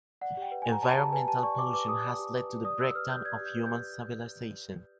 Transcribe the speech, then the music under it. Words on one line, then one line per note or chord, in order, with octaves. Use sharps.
Environmental pollution has led to a breakdown of human civilization.
D5 F#5
G4 G5
B4
G#5
G4 A#5
D5 A5
A#5
G4 A5
B4 G#5
G4 A5
D5 C#6
G4 D6
B4 D6
G4 D#6
D5
G4
B4
G4
D5 D#6
G4 E6
B4 F6
G4 G6
D5 G#6
G4 G6
B4
G6
G4